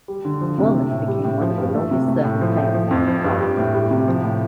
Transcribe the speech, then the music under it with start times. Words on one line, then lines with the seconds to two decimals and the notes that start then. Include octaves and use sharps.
Wilnis became one of the longest-serving players at the club.
0.08 G3
0.25 D3
0.41 F3
0.58 C3
0.74 A3
0.91 A2
1.08 G3
1.24 A2
1.41 F3
1.58 G2
1.74 A3
1.91 C3
2.08 A3
2.24 A2
2.41 F3
2.57 A2
2.74 F3
2.91 F2
3.07 F3
3.24 G2
3.40 G3
3.57 A2
3.74 G3
3.91 C3
4.07 F3
4.24 A2